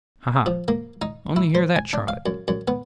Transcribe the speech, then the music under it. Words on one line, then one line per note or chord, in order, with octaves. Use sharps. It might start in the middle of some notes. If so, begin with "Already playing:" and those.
'Ha! ha! only hear that, Charlotte!'
F3
A#3
D#4
E4
C5
G#5
D4
F5
F#2
F#2
B3